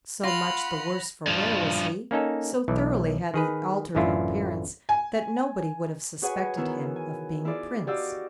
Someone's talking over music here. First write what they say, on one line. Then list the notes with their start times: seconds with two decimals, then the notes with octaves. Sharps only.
So much the worse for wear was he, so thoroughly had he altered in appearance, that nobody would have suspected him of being a Prince.
0.23 F4 F#5 B5 A#6 F7
1.27 G2 F3
2.11 A#3 C#4 D#4 A4
2.68 B1 E3
3.34 D#3 G#4 B4
3.95 A1 F#2 D3 E4 F4
4.89 G#5
6.22 F#4 G#4 B4 C#5 F#5 G#5
6.57 D#3 E3 B3 E4
6.96 G#5
7.45 E4 F4 G#4 D5
7.87 F#4 G4 D5 D#5 F5 E6